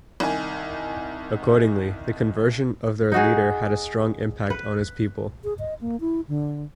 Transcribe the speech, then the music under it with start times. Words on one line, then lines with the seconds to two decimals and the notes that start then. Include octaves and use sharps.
Accordingly, the conversion of their leader had a strong impact on his people.
0.20 C2 D#3 G#5
3.12 D#4 F#4 G#4
4.50 B4
5.44 G#4
5.59 D#5
5.81 A#3
6.01 E4
6.28 D3